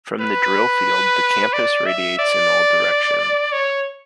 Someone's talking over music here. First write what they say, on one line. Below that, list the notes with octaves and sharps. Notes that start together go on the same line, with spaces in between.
From the Drill Field, the campus radiates in all directions.
B4
D5
E5
D5
C#5